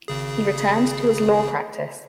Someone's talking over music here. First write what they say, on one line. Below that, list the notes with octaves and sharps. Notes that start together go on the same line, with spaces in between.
He returned to his law practice.
G#1 C#3 G#4